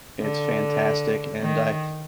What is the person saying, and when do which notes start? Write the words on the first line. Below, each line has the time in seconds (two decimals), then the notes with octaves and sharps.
it's fantastic, and I
0.21 D3
1.41 D#3